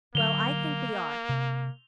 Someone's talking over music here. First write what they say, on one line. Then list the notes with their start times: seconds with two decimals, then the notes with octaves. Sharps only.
Well, I think we are.
0.15 D3 F#3 A#3 F7 G7
1.29 C3